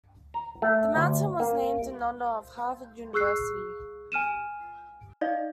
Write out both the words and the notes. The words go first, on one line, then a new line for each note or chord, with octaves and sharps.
The mountain was named in honor of Harvard University.
A#5
A3
D2
A#3
G#4 C#6 E6 F#6 C7
G#5 F6 D#7 E7
D#4 D5 D#5 F5